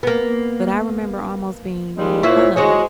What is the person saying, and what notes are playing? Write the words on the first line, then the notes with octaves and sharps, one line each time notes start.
but I remember almost being made fun of
A#3 B3
D#2 G3 G#3
A#2 E4 F4 C5 C#5
G#3 F#4 C5 C#5